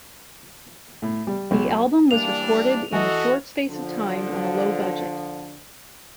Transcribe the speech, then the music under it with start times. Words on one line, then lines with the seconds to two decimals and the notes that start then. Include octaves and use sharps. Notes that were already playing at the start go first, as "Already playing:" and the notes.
The album was recorded in a short space of time on a low budget.
1.02 A2
1.27 G3
1.51 B1
2.11 E3 G3 A#3 D4 F5 F7
2.93 E3 E4 F#4 A4 D#5 G#5
3.69 D3 F3